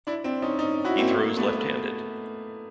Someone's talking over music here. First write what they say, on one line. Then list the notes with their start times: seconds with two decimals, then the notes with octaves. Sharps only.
He throws left-handed.
0.07 D4 E4
0.24 C4 D4
0.42 C#4 D#4
0.59 C#4 D#4
0.85 E4 F#4
0.97 A#3 C4
1.10 A#3
1.23 A#3
1.37 A3 B3